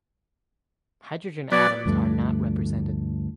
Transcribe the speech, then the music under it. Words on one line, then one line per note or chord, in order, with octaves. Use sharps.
Hydrogen atoms are not represented.
F#3 B3 D5
D2 G2 F3 A3